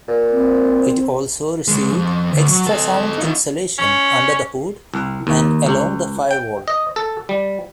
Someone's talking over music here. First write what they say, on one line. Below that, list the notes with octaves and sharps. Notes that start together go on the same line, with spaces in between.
It also received extra sound insulation under the hood and along the firewall.
A#2
C4
C#2 G#3
F2
D2
F#3
A4 D#5
D#4 F4
C#4
C2
D#2
C#2
G5
D#5
A4
G3